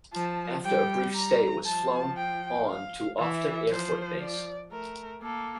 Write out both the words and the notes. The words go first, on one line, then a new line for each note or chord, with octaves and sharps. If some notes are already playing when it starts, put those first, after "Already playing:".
After a brief stay it was flown on to Offutt Air Force Base.
F3 A5
G3 G5
A#5
F3 A5
G5
F5
E3 E5
F3 C5
D5
A3 A#4
A#3 A4